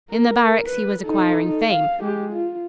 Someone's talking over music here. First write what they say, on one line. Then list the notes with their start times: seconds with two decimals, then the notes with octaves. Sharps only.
In the barracks he was acquiring fame.
0.10 A#4
0.66 B4
1.02 D#4 A4
1.69 F5
2.01 G#3 G4
2.32 F4